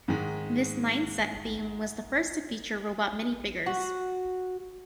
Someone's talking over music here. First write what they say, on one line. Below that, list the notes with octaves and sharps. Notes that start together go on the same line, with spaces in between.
This nine-set theme was the first to feature robot minifigures.
G#2 D#3 G#3
F#4